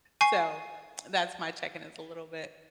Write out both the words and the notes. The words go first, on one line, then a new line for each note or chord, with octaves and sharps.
So, that's my check-in is a little bit,
G#5 C#6 C7